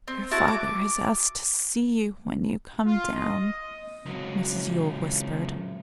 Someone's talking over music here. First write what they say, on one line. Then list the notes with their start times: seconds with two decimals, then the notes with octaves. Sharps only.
'Your father has asked to see you when you come down,' Mrs Yule whispered.
0.08 C4
0.31 E4 F#4 A5
0.48 D6
2.85 F4
3.14 D#5
4.06 C#2 F#3